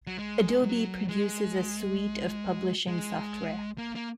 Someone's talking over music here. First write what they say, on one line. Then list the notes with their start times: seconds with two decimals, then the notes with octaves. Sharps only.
Adobe produces a suite of publishing software.
0.07 F#3
0.18 G#3
0.63 F#3
1.09 G#3
2.88 G#3
3.78 A#3
3.95 A#3